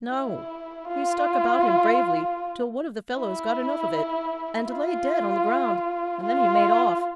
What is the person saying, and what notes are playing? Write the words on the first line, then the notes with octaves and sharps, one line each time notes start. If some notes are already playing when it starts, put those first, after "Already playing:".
"No; he struck about him bravely, till one of the fellows got enough of it, and lay dead on the ground; and then he made off."
E4
F4
E4
F4
F4